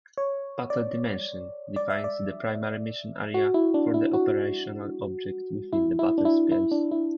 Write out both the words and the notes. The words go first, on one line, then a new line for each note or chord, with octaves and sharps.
"Battle dimension" defines the primary mission area for the operational object within the battlespace.
C#5
D5
D5
E5
D5
F#4
E4
D4
E4
F#4
E4
E4
D4
E4
E4
D4
E4